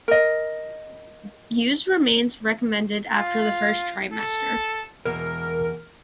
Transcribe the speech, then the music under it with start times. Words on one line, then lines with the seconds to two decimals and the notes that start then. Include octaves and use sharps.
Use remains recommended after the first trimester.
0.08 A#4 D#5
3.15 F4
4.12 A4
5.05 E2 B2 A#4